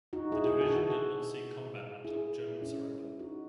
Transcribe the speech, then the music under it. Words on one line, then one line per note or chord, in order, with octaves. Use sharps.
The division did not see combat until German surrender.
D#4 F#4
E4 G#4
E4 G#4
F#4 A4
F#4 A4
E4 G#4
C#4 E4
D#4 F#4